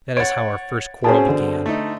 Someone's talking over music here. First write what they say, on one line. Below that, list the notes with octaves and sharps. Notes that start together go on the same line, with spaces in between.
That is how our first quarrel began.
C#5 F#5 A6 D7
B2 C4 C#4 G#4 A5
D3
A3 D#4